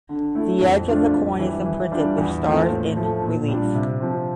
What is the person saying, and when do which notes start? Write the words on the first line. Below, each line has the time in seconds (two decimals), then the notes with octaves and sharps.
The edge of the coin is imprinted with stars in relief.
0.09 D3
0.35 A3 E4
0.61 F2
0.88 D3 A3 D4 F4
1.13 F2
1.39 E3 G3
1.66 E3
1.92 G3 D4 F4
2.18 E2
2.44 E3 A3 C4 F4
2.70 A2
2.97 F3 A3
3.22 A#2
3.48 G3 D4 F4
3.75 C3
4.00 F3 C4